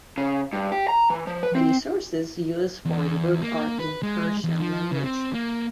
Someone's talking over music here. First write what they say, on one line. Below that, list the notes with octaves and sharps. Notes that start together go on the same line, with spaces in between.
Many sources used for the book are in Persian language.
C#3
G2
G4
A#5
E3
F3
B4
C4
E2
A#3
B4
G#3
E2
F3
C#3
C4
A#3